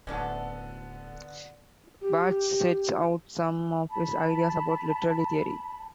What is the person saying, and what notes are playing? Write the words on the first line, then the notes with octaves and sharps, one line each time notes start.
Barthes sets out some of his ideas about literary theory.
D1 D3 B3 C#4 D4 A4
G4
A5 B5